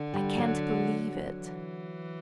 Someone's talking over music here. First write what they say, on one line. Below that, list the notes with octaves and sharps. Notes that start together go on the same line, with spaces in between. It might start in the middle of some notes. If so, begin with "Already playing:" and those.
I can't believe it!
Already playing: D3
G3
F#3
E3